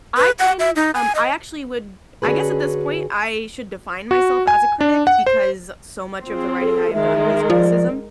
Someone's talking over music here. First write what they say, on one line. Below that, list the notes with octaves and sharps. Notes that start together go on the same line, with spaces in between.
I tend um, I actually would I guess at this point, I should define myself as a critic because so much of the writing I have done is criticism,
B4
F#5
E5
D#4
G#5
D#5
D3 C#4 D4 F#4 G#4 B4
F#4
G#5
D4
F#5
C5
C4 F4 G#4
A4
D#3 G#3 A#4 E5
F3 D5